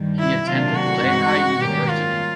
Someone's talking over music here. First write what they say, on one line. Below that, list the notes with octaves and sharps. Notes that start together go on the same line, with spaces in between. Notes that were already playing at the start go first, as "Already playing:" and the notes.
He attended Lehigh University.
Already playing: G2 D#3 G3
E4
C3 D#3 F#3 A#3 D4 F4
F#4
G2 E3 G#3 C4 D#4
G#2 D#3 G3 A#3 C#4 G4
F4